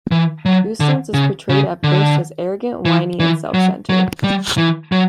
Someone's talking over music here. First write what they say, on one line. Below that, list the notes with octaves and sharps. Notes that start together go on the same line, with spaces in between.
Eustace is portrayed at first as arrogant, whiny, and self-centred.
E3
F#3
D3
C#3
C#3
D3
E3
E3
F#3
F#3
G3
E3
F#3